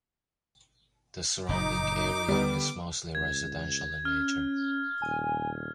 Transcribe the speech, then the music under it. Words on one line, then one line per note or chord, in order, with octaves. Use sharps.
The surrounding area is mostly residential in nature.
F#1 A#2 D#4 D6
D3 G3 B3
C#2 G#6
C#4 F6
D#1 G#5